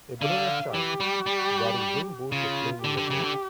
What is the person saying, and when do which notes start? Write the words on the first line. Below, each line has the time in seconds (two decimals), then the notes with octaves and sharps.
A brunet child, wearing rain boots is playing in the dirt.
0.22 D3 F5
0.74 E3 G4
1.00 G3
1.26 G3
2.32 C#3 F4
2.84 D3 G4
2.97 D3
3.10 C#3
3.18 E3
3.24 D3